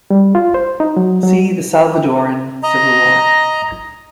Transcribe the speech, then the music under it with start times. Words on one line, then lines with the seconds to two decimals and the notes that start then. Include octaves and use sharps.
See the Salvadoran Civil War.
0.10 G3
0.35 F4
0.54 C5
0.80 D#4
0.96 F#3
1.23 F#3
2.63 D#5 A#5